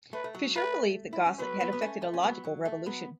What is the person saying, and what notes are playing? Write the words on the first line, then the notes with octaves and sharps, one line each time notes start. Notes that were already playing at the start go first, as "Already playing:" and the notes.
Fisher believed that Gosset had effected a "logical revolution".
A3 B4
A3
F#3
A3 B4
E4
C#4
F#3 B3 B4
F#3 B3
B3
A3 C#4
A3
C#4
F#3 B3
F#3
A3
F#3 B3